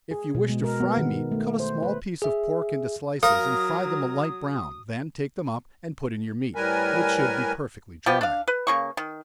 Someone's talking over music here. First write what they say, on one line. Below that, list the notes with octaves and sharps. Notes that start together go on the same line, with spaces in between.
If you wish to fry meat, cut a small piece of pork into slices, and fry them a light brown, then take them up and put in your meat, which should be perfectly dry.
G#4
B2
G#3
A#4
B3
D#3
A3
C5
B4
G#4 E5
F#3 A#4 F5 D#6
A2 G3 A#4 B4 G#5
F3 B3 G4
D4 F5
B4
C#3 A#3 C#6
D#3